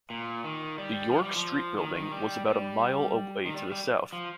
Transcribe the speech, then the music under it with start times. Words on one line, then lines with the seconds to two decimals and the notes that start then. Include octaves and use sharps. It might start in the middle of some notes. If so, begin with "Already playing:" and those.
The Yorke Street building was about a mile away to the south.
0.10 A#2
0.44 D#3
0.78 G3
1.12 F3
1.23 G3
1.36 F3
1.78 D#3
1.95 D#3
2.12 G3
2.46 G3
3.45 D#3
3.54 G3
3.72 G3
4.13 F3